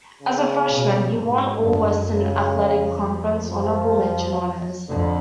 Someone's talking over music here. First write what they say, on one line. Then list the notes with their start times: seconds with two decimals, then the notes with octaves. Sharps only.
As a freshman, he won All-Western Athletic Conference honorable mention honors.
0.22 C#3
0.69 B2
1.15 G#2
1.62 F#2 D3
2.09 C#3
2.55 F2
3.49 F#2 F3
3.96 F2
4.89 F2 D3